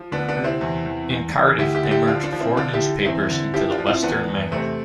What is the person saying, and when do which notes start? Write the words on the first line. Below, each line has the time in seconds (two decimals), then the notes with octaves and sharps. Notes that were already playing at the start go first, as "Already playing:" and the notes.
In Cardiff they merged four newspapers into the "Western Mail".
Already playing: F3
0.12 D2 B3 D4
0.28 B3 D4
0.37 C3
0.44 C4 E4
0.61 E2
0.86 E2
1.10 E2
1.34 E2
1.58 D2 E4 G4
1.75 E4 G4
1.83 D3
1.91 E4 G4
2.07 F3 D4 F4
2.24 D4 F4
2.32 F3
2.40 C4 E4
2.57 D3 D4 F4
2.73 E4 G4
2.81 D3
3.05 E2 C4 E4
3.30 D3
3.54 F3 E4 G4
3.70 D4 F4
3.78 F3
3.86 C4 E4
4.03 E2 B3 D4
4.28 E2
4.51 C3 A3 C4